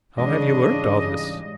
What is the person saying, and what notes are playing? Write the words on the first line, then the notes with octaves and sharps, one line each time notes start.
"How have you learnt all this?"
G#2 C#3 E3 G3 D4 D#5